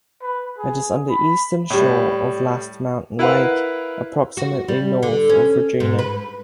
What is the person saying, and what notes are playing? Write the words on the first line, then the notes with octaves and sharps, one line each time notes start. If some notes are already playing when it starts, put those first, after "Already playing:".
It is on the eastern shore of Last Mountain Lake approximately north of Regina.
B4
G#4
B5
A2 G3
E4 A#4 B4 F5 F#5
F#4
G3
D3
C#4
G#2
B4